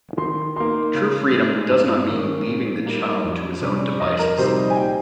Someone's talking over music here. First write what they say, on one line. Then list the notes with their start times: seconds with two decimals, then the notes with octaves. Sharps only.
True freedom does not mean leaving the child to his own devices.
0.17 D#3 C6
0.56 A#3 D#4 C6
0.94 C#3
1.32 G#3 D#4
1.70 G2
2.09 D#3 A#3 C#4
2.47 A#2
2.86 G3 A#3 D#4
3.24 F2
3.62 C3 G3 C#4
4.00 F2 D#5
4.19 A#4
4.38 C3 G3 C4 D#4 C5
4.58 D#5
4.70 G#5
4.76 A#2 G5